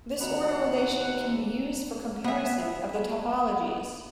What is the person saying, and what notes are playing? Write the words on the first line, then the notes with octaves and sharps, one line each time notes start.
This order relation can be used for comparison of the topologies.
D#2 C4 F#4 D#5 F#5 A#5 B5
B3 E5